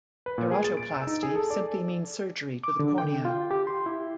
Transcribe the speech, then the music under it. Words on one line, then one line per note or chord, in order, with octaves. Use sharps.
Keratoplasty simply means surgery to the cornea.
B4
A#2
G#4
A6
D7
E6
D#4
G#4
A4
D5
D6
D3
G5
F4
G4
C6
E4